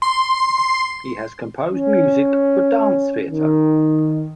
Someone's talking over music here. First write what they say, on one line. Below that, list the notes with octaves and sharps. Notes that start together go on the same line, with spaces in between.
He has composed music for dance theatre.
C6
C#4
D#3